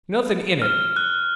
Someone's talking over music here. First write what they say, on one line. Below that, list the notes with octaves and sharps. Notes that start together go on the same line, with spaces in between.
Nothing in it?
F6
F#6